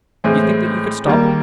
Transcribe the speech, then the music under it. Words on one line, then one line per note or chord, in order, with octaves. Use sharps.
You think that you could stop?
A2 E3 G#3 C4
D#3 G3 A#3